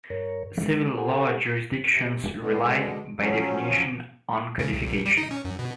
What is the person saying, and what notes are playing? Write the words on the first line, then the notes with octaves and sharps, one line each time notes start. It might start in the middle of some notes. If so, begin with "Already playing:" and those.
Civil law jurisdictions rely, by definition, on codification.
G2 A#4 C#5
G#3
G4 A4 C5 F#5 G#5
C3
B2 D3 G#3
F3 F#3 C#4
C#3
C2
A#1
G3
D#4
C#4
F#2
B2